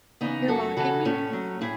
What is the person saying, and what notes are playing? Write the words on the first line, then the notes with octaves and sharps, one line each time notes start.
You’re mocking me?
C#3 E3 B3 D#4
F#2 F#4 A4
C#3 E3 F#4 A4
A2 A3 C#4
F#3
A2 E4 G#4